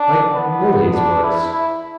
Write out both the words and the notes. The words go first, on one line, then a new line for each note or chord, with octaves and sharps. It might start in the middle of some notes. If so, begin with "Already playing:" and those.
Like Milly's was.
Already playing: D4
B3
D4
E4
E4